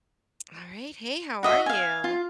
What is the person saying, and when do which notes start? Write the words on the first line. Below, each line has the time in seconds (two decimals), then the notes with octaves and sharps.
All right. Hey, how are you?
1.43 F#4 D#5 E5
1.66 F5 G#5
2.04 F4